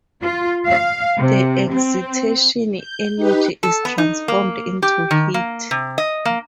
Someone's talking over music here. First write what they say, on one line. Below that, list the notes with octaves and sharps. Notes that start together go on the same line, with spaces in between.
The excitation energy is transformed into heat.
F4
F5
C3
C4
G6
D#4 G4 B4
A4
B3
D#4
A#3
G4
D#3
A#3
C3
D#5
A#3